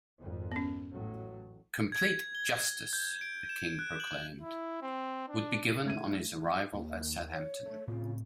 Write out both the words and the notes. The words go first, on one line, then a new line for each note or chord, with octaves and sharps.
Complete justice, the king proclaimed, would be given on his arrival at Southampton.
G#1 F2
B3 C#4
A1 A2 F#3
G#6
G7
G#6
G6
D7
E7
F#6
F#7
E4
C4
D4
A3 G#6 D#7
D#2 A#3
C#5
A3
A2 C#3 C4 F4